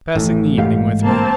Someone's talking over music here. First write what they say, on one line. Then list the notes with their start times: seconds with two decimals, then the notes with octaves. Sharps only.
Passing the evening with me.'
0.15 A1 A2
0.58 G#2 G4 F5
1.02 A#3 C4 A5